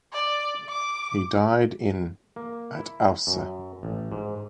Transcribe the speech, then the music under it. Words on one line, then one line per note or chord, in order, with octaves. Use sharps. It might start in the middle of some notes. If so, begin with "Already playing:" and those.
He died in at Aussee.
D5
D6
A#3
E4
F#2
A1
G#2